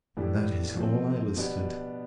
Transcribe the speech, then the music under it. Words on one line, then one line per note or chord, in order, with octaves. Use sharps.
And that is all I elicited.
A2 E3 A3 D4 G4
F3 A3 C4
B2 B3 D4 G4